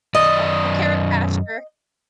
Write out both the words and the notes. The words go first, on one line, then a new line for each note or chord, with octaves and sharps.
Oh, a carrot pasture.
F#2 D#3 D5 D#5